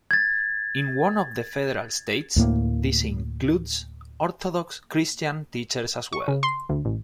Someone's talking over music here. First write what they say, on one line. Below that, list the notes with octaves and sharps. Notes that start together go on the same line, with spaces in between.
In one of the federal states this includes Orthodox Christian teachers as well.
G#6 A6
D2 A2 A#3
C#6
C#3
C6
D2
A1